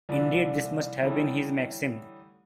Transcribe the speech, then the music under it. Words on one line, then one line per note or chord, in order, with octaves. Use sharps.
Indeed this must have been his maxim.
C2 E3 F3 D4
D3 E3 G3 A3 C#4 D#4